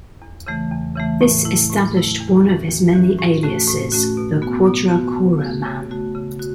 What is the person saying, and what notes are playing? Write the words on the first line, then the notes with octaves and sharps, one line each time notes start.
This established one of his many aliases, the 'Quadra Kora Man.
E2
C#3 E3 A3
E2
C#3 E3 A3
A2
A3 E4
A2
A3 E4
E2
E3 C#4 F#4
E2
E3 C#4 F#4
A2
A3 C#4 F#4
A2
A3 C#4 F#4
B2
B3 F#4
B2
B3 F#4
C#3
A3 F#4
C#3
A3 F#4
C#3
F#4